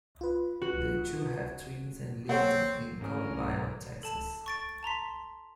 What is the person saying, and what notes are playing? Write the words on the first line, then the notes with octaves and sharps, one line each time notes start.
The two have twins and lived in Colleyville, Texas.
F4 B4
F#4
A#3 C4 A4 C#5 F#5
A1 G#2 C#4 A#4 G#5 F6
G#2
A4 A5 E7
C#6 A6 D7
A5 A#5 C6 B6